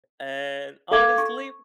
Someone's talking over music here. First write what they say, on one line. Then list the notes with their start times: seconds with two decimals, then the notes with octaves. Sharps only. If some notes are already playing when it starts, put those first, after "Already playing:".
And honestly,
0.91 A4 F5 D6 G#6
1.18 C#6